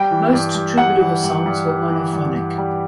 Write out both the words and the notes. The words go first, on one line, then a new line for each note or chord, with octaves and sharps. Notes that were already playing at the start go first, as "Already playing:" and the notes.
Most Troubadour songs were monophonic.
Already playing: G3 G5
E3
G2
G2
G3 F#5
E3
G2
G2
G3
E3
G2
G2
G3